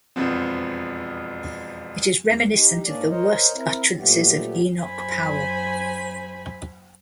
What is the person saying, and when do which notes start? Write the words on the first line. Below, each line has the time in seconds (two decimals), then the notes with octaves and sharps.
It is reminiscent of the worse utterances of Enoch Powell.
0.16 E1 F2 B3 C4
2.21 E2
2.52 D#4 G4
2.85 G#2 A#3 C#4 D4 D5
3.09 A#4 C5 C#5 D#5
3.54 C4 E4 A#4
3.98 A#2 F#3 A3 B3 G4
4.79 F#2 C5 G#5 B5